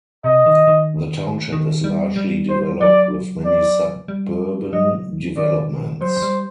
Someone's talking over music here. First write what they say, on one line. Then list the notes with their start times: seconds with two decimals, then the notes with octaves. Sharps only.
The township is largely developed with many suburban developments.
0.24 C3 D#5
0.46 D#3
0.67 D#3
1.52 D#3
1.84 G3
2.16 G3
2.49 C5
2.81 F#3 D5
3.45 D5
4.08 G3
4.73 F#3 D#5
5.37 D#3 D5
6.01 F#3 C5
6.22 G3